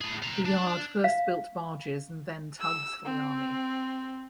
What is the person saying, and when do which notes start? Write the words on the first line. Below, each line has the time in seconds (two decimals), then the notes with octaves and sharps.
The yard first built barges and then tugs for the Army.
0.01 A2 G#4
0.22 C5 A#5
0.45 D4
1.04 F5
2.60 E6
3.05 C4